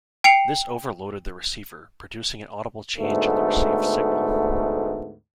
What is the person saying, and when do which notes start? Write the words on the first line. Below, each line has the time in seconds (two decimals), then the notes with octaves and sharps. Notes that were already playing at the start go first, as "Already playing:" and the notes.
This overloaded the receiver, producing an audible change in the received signal.
0.24 G5 C7 C#7 F7
2.98 D2 G#2 A3 B3